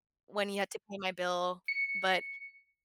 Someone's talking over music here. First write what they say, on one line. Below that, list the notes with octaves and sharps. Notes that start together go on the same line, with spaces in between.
when he had to pay my bill, but
C#7